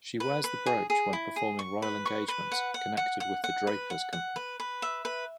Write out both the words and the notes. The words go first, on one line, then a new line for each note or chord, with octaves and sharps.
She wears the brooch when performing royal engagements connected with the Drapers Company.
B4
B4
G#4
G#4
E4
G#4
C#6
B4
C#6
B4
F#5
F#5
F#5
F#5
F#5
B4
F#5
F#5
B4
B4
E5
B4